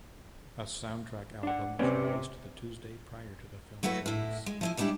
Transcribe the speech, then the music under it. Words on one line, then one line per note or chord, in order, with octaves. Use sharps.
A soundtrack album was released the Tuesday prior to the film's release.
D4 F#5
C3 C#4 B4 D5
F#3 A3 E4 F#4 B4
A2 E4
G#3
F3 E4 G#5
G3 G#3 D4 E4 G4